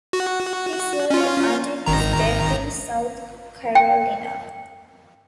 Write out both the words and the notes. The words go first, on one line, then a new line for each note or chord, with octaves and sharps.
He served until his death in South Carolina.
F#4
C#4 F4
G#1 D#3 A#5
G5